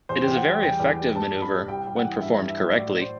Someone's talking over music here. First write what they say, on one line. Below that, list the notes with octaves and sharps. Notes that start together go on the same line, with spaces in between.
It is a very effective maneuver when performed correctly.
E2 C5
G5
E2
F#5
G3 G5
E2 G5
E2
G5
G3
G2 A5
G2
B5
G3
C2 G5
C2
F#5
E3
G2 E5
G2
E5
F#3
A2 D5
A2
C5